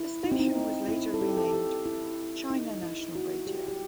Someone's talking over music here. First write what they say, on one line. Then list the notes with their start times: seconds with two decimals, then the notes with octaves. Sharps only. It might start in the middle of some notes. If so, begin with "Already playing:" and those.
The station was later renamed China National Radio.
Already playing: E4
0.24 D#4
0.32 C4
0.40 D#4
0.89 E4
1.14 A4
1.22 G4
1.37 A4
1.54 G4
1.86 E4
2.50 D#4
2.83 E4
3.15 F#4
3.47 G4
3.68 G4